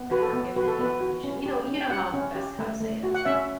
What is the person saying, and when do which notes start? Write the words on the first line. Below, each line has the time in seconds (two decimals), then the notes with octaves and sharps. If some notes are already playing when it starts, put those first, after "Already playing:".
like, I'm not given any information." You know you know how best how to say it. So
Already playing: B3
0.11 F#4 B4
0.22 A4
0.33 B3
0.56 F#4 B4
0.68 A4
0.79 B3 B4
1.01 F#4
1.24 C#4
1.46 G4
1.68 C#4
1.81 G5
1.90 G4 F#5
2.14 C#4
2.35 G4
2.59 A3
2.80 A3
3.03 F#4
3.15 F#5
3.25 C#4 E5